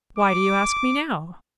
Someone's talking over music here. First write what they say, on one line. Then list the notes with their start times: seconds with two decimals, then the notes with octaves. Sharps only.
"Why do you ask me now?"
0.19 D6